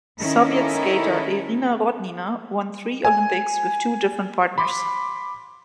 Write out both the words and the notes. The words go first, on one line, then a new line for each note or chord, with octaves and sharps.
Soviet skater Irina Rodnina won three Olympics with two different partners.
D#3 C#4 E4 A4 A#4
G#5
B5 C6 D6